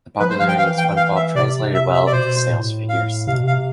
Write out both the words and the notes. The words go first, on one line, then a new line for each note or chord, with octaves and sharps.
The popularity of SpongeBob translated well into sales figures.
F3 B4
C5
F3 F5
G5
E3 F5
G5
F5
E5
C3 D5
E5
E5
D5
B2 C5
A2
F5
C3 F5
B2
C3 F5